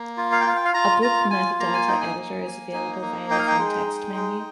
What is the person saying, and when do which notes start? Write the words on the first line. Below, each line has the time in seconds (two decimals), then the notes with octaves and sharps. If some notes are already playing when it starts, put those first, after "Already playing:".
A book metadata editor is available via the context menu.
Already playing: A#3
0.17 F4
0.32 F5
0.41 G5
0.47 F4 F5
0.56 G5
0.65 F5
0.74 F4 A#5
1.02 F4 A#5
1.31 F4 G#5
1.60 A#3 A#5
1.74 G#5
1.88 D#4 G5
2.01 G#5
2.17 A#3
2.45 A#3
2.73 D#4
3.02 A#3
3.30 D#4 G5
3.38 F5
3.47 G5
3.58 G#3
3.87 D#4
4.16 G#3